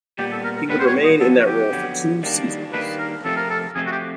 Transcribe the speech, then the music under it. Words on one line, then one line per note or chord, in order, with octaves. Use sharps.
He would remain in that role for two seasons.
A#2 G3 B3 G4
A4
A#4
A#4
A#2 G3 B3 B4
C5
C#5
D#5
F2 D3 F#3 B3 A4
F#4
G4
F2 D3 F#3 B3
D#3 G3 A#3 D4
D#3 G3 A#3 D4 B4
A#4
F2 C3 F3 A3 C4 A4
A#4
A4
F2 C3 F3 A3 C4 G#4
F#4
G4